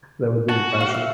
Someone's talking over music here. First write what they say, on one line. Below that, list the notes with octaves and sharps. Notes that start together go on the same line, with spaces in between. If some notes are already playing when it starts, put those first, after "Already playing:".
That would be impressive.
F#4 A5
F5
E5